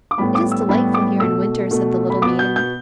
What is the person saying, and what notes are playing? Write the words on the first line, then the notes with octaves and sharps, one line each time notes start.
"It is delightful here in winter!" said the little maiden.
D6
A2 G3 B3 B5
D6
E6
A2 G3 B3 B5
D6
B2 A3 E6
B2 A3
B5
B2 B3 D6
G6
G6